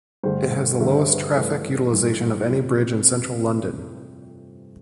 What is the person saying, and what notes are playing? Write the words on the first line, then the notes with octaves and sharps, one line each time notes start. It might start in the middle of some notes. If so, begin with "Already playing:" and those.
It has the lowest traffic utilisation of any bridge in central London.
G2 D3 A3 C5
G2 D3 A3 E5
C5
B4
G2 E3 A3 B4
G2 E3 A3
F2 C3 F3 A3